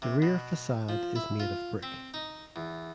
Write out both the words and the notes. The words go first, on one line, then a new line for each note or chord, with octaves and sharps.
The rear facade is made of brick.
C3
B2
F3
E4
F4
C4
D#4
E2